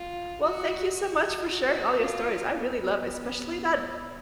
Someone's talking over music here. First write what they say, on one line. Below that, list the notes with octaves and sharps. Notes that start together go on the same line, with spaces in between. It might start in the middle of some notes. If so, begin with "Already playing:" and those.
Well, thank you so much for sharing all your stories, I really love especially that
Already playing: F4
F#4
F#4
F#4
F4
B3